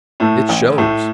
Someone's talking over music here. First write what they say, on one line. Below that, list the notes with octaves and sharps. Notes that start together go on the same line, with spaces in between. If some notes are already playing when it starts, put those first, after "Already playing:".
It shows.
A2 A3
A1
A2 A3